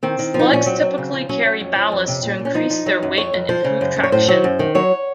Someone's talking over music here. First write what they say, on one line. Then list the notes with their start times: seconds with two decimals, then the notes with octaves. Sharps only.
Slugs typically carry ballast to increase their weight and improve traction.
0.03 D#3 C4
0.19 D#3
0.34 F3
0.39 D#4
0.51 A#2 C#4
0.66 F#3 C4
0.81 F#3
0.98 C#3
1.13 F3
1.29 F#3 C#4
1.45 F#3
1.60 F2
1.76 F3
1.92 F2
2.08 C3
2.23 A#2
2.39 A#2
2.45 C#4
2.54 F3 D#4
2.70 F3
2.86 F#3
3.03 F#2
3.17 F2 C#5
3.34 F2
3.49 F3 C5
3.64 C#3
3.81 F#2
3.97 F#2
4.03 C#5
4.12 A2 C5
4.28 F#3
4.44 F#2
4.59 D#3
4.75 F#3 C#5